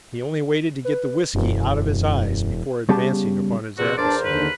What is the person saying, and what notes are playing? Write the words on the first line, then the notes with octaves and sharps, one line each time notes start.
He only waited to get the whisky out of his eyes before advancing upon his adversary.
B4
E1 F#2
C#3 G3 B3 G4 F5 A5
E2 C3 F#4
E2 D4 A#4 C5 D5
D#2 D3 B4